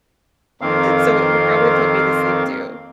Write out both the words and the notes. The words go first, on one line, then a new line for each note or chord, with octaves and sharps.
So, it would probably put me to sleep too.
F2 D#3 A#3 C4 F5